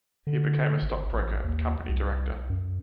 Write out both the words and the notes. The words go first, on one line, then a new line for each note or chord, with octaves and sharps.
He became a stockbroker and company director.
D3
G#1
A1
D#2
C2
F#2